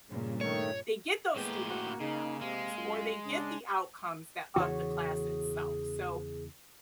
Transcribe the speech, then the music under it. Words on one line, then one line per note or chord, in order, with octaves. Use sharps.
they get those student learning outcomes or they get the outcomes that of the class itself, so,
G2 A#2 C#3
D#3 A3 C#5
A2 G#3 A#3 B3 G4
F#4
C#3 D#4 G#4
C3 G#3 F5
F#2 F4
C#3 D4 G#4
E2 C#3 E3 F#4 G#4 C#5